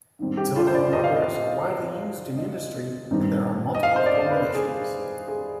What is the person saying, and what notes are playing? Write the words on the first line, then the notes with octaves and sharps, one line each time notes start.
Silicone rubbers are widely used in industry, and there are multiple formulations.
G#2 D#3 G3 C4 D#4
G4
F4
C5
D5
D#5
F5
D#5
D#5
G2 D#3 G3 C4 D#4
D#5
F5
C5
D5
B4
G#4
G#4